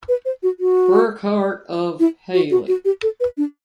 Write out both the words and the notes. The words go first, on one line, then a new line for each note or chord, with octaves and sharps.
Burkhart of Hailey.
B4
C5
F#4
F#4
E4
F#4
F#4
F#4
G4
A4
B4
D4